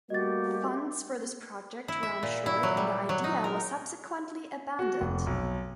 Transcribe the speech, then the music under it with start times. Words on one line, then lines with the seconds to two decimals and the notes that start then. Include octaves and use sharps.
Funds for this project ran short and the idea was subsequently abandoned.
0.10 G3 A3 A#3 F#4 G4 D#5 A6
1.88 E4
2.03 E5
2.23 A#2
2.46 E4
2.63 F#3
2.77 G3
3.09 F#3
3.24 D#4
3.44 A#4
4.79 F#4
5.01 F1
5.27 B1